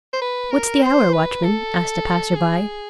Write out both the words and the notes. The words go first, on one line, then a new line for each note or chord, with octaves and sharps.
"What's the hour, watchman?" asked a passer-by.
C5
B4
A#4
C5
B4
A4
G#4